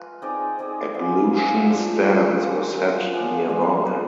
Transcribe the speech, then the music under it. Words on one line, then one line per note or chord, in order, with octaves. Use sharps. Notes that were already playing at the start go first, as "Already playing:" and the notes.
Ablution stands were set nearby.
Already playing: G#3 F4 B4
C4 D#4 G#4 D5
C4 D#4 G#4 D5
G#3 B3 F4
G#3 B3 F4
D4 F4 C5
D4 F4 C5
C4 F4 G#4
C4 F4 G#4
G#3 B3 D4 F4
G#3 B3 D4 F4
D#4 B4 F5